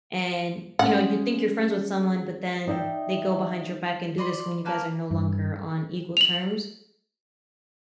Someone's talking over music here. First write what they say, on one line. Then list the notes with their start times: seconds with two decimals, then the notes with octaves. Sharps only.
and, you know, you think you're friends with someone, but then they go behind your back and do this when you guys are no longer on equal terms.
0.79 G#3 C#4 G#4 F#5
2.67 D#4 D5 E5 G5
4.18 D5 D#5 B5 C6
4.65 A#3 B4 G#5 A5
5.11 G2
6.17 F7 F#7